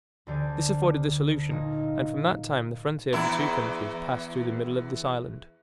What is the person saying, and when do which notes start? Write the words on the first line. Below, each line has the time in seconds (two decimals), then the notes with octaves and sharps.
This afforded the solution, and from that time the frontier of the two countries passed through the middle of this island.
0.27 D2 D3 G4 D5 G#5
1.49 A#2 A#3 D#4
3.13 E2 E4